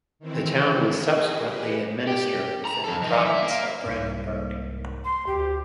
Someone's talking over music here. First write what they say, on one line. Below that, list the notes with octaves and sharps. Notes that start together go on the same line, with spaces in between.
The town was subsequently administered within the Province of Brandenburg.
D#3 E3 C4 E4
G#4 D#5
G4 G#4 B4 D#5
G4
A#5 B5
F2 A4
E3 D#4
E4
A#3
C2 G#2 A#3
C6
D2 G4